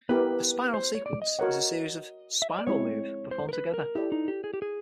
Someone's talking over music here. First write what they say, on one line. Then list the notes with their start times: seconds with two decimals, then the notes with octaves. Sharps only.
A "spiral sequence" is a series of spiral moves performed together.
0.09 B3 E4 G4 A#4 B4
0.74 C5
0.95 C#5
1.06 D5
1.22 D#5
1.39 F#4 A#4 C#5 F#5
2.42 E5
2.50 D#5
2.59 D5
2.67 G#3 C4 E4 C#5
3.31 C5
3.49 A#4
3.53 B4
3.74 A#4
3.95 E4 G4 A4 D5
4.12 D#4
4.28 G4
4.44 G#4
4.54 G4
4.62 G#4